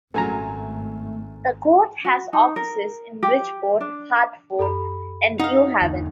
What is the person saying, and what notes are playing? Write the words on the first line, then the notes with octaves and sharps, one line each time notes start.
The court has offices in Bridgeport, Hartford, and New Haven.
G#1 F#2 A#2 F#3 A3 A4 G#5 A#5
F#4
D#4
A#4
G4
D4
F#2 G4 A4 A#5 B5
D#4 F5 F#5
E2 D3